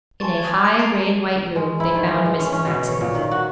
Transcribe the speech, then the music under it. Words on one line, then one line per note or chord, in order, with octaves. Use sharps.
In a high gray-and-white room they found Mrs. Maxineff.
G#5 A5 C6 C#6 A6
G#5 G#6
D6
D7 F7
A5 A#5 C7 D7 F7
G#3
E4
D#3
E3
G#3
C#4
C#4
B2
C#5
A#2
D#3
F#4